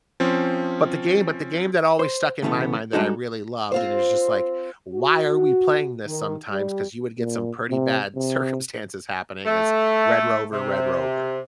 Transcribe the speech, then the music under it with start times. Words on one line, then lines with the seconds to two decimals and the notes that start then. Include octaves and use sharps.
But the game but the game that always stuck in my mind that I really loved and it was just like, "Why are we playing this sometimes?" 'cause you would get some pretty bad circumstances happening is red rover, red rover.
0.20 F3 C4 C#4
1.99 C5
2.42 A2 C#3 E3 A3 B3
2.93 G3 G#3 D4 D#4 F#4 A4
3.72 C4 F4 C5
4.93 F#4
6.06 D#3
6.48 G3
7.18 A#2
7.70 C3
8.15 C3
9.45 A3
10.52 C3